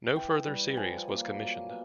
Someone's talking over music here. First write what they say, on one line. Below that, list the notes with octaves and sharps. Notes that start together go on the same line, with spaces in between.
No further series was commissioned.
E3 G5
G3
F3 G#5
A#3
F#3
B3